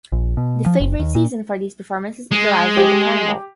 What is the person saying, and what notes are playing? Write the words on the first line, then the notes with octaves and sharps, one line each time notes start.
The favorite season for these performances is the last day of the Carnival.
A#1
B2
F3
F#1
D#2
A#2
G#3
G4